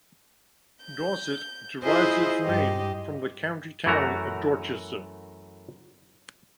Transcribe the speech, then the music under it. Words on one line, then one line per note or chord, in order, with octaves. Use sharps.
Dorset derives its name from the county town of Dorchester.
G6
E4 F4 G#4 C5 D#5 E5
G2 G4 D#5
F#2 E3 A3 F#4 A#4 A#5